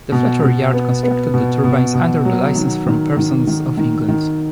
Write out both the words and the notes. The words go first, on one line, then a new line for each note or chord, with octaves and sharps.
The Fletcher Yard constructed the turbines under license from Parsons of England.
B2
B2
B3
B3
B2
B2
B2
F#3
D#3
D#3
D#3
D#3
D#3
D#3